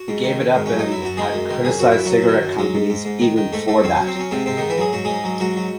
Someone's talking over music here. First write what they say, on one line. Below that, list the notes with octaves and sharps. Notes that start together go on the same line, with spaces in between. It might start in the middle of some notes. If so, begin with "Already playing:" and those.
He gave it up and had criticized cigarette companies even before that.
Already playing: F#4
G#2
D#3
D#3
G#2
F#3 C#4
D#4
F#3
E4
F#2 F#4
D#3 G#3 G#4
F#2
D#3
F#2 G#4
F#2 F#4
F#2 E4
F#3 F#4
F#2
D#3
F#2
F#3 G#3
G#2
G#2
G#2
D#3
D#3
G#2 A3
G#2 A3
F#3 C4
F#3 C#4
C4
F#3 C#4
G#2 C3 C4
G#2 C3 C4
G#2 D#3 D#4
E3 E4
F#3 G#4
G#2 F#4
G#2 G#3 G#4
F#3
G#2 F#3 F#4
F#3